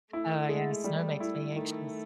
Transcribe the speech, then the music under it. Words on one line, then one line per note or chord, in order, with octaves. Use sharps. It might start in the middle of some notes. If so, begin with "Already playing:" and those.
Oh, yeah, that makes me anxious.
A3 E4
G#3
G3
E4
D#3 A3